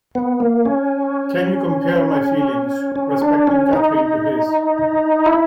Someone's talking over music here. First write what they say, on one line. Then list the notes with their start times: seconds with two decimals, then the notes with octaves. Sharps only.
Can you compare my feelings respecting Catherine to his?
0.15 B3
0.40 A#3
0.65 C#4
2.96 C#4
3.22 D4
3.47 C#4
3.73 D#4
5.26 E4